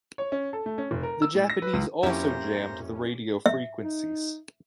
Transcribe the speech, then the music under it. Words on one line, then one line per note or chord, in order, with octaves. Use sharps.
The Japanese also jammed the radio frequencies.
C#5
C#4
A4
A3
C#4
F1
A#4
E6
A2
A#6
B4
C#2
F2 A#3 C#4 E4 G4 C5 A#5
E5
D#4